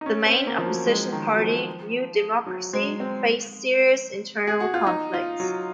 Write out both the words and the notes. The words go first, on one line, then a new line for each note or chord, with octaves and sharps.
The main opposition party, New Democracy, faced serious internal conflicts.
D#4
C#4
C4
A#3
F3
F#3
G#3
D#3
F#3
F3
F#3
G#3
C4
G#4
F#4
F4
D#4
F4
F#3